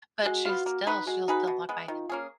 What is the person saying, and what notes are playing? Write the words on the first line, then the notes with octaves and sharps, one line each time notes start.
But she's still she'll still walk by,
G#3 F#4
B3 F4
A#3
D#4 F#4 B4
G#3 F#4
D#4 G#4 B4
B2
G#3 B3
D#3 F4
A#3 C#4 G#4